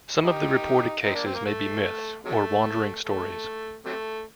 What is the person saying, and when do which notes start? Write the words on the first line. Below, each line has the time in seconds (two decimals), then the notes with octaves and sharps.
Some of the reported cases may be myths, or wandering stories.
0.24 D#4 G4
1.04 C4 D#4
1.15 A#3 D4
1.25 C4
1.35 A#3
1.45 A3
2.25 C3 F#3 A3
3.05 A3
3.86 C3 F#3 A3